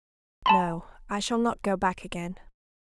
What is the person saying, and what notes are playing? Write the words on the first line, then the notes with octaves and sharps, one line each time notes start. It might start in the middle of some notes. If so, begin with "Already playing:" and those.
"No; I shall not go back again."
A5 B5 C6